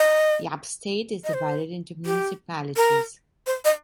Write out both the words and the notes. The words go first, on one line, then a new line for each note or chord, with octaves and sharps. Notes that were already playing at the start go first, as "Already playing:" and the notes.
Yap State is divided into municipalities.
Already playing: D#5
D#5
C5
G4
A#4
C5
D#5